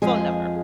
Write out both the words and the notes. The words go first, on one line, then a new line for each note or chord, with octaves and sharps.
phone number
F2 F3 G#3 G#4